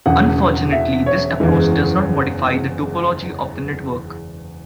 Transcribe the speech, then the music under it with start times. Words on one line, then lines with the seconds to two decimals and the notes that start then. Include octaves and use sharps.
Unfortunately, this approach does not modify the topology of the network.
0.06 E1 E2 C#3 F#5
0.72 E5
1.06 C#5
1.40 F#1 E2 E3 G#3